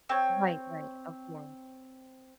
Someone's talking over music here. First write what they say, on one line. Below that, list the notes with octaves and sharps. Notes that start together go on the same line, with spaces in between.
Right, right, of course.
C4 C#5